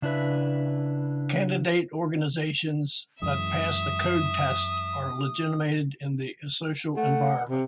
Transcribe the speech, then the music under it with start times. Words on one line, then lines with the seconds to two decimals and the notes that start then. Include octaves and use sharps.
Candidate organizations that pass the code test are legitimated in the social environment.
0.02 C#3 D4 E4 B4 E5
3.22 F#2 E3 G#3 E5 D#6
6.97 A3 F#5
7.49 C3